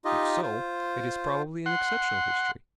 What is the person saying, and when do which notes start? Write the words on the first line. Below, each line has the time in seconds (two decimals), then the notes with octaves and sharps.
If so, it is probably an exceptional history.
0.05 D#4 F4 G4 D#5
0.42 F4 C5
1.66 F#5 C6